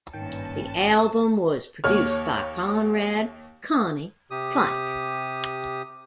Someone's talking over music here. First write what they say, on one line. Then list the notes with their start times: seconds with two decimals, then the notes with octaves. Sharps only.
The album was produced by Konrad "Conny" Plank.
0.13 G#1 G2 A#2 D#3 C#4 B4 G5 A5
1.84 D#2 C#5 F6
4.31 C3 G4 D#6